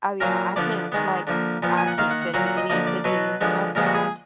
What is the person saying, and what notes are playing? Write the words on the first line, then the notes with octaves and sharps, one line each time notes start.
Oh yeah, I can't, like, I can't fit in any of the jeans that I've found.
A#2 F#3 A#3 A#4
D3 F3 B3 D5
D#3 G#3 B3
D3 F3 A#3
A#2 F3 B3
G#5
F#5
D#3 A#3 F5
F#5
F#5
A#2 F#3 A#3 F#5
F#5
D#5
D3 F3 A#3 D#5
D5
B2 F#3 B3 B4
D3 F3 G#3 B3
A#2 F3 G#3 B3 A#4
F#4
G#4